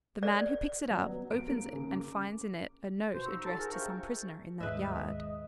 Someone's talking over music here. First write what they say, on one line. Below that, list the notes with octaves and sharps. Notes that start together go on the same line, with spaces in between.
The man who picks it up opens it and finds in it a note addressed to some prisoner in that yard.
D5
F#3
B3
D7
A#3
C#3
D6
B2 F#4 C5
F3 D#4 A#5 C#6 E6
F#4 G4 A4 A5
G#4 A#4
C3 D4 F4 F5 G5 C#6
D#2 G#2 G#3 B4 D#5 E5